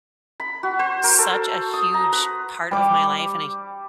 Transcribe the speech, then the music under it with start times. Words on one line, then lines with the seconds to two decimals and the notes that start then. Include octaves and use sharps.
such a huge part of my life, and a
0.40 B5
0.63 F#4
0.79 C5
1.04 A#4
1.19 A4
1.73 D#6
1.94 A#5
2.12 B4
2.71 G3 D6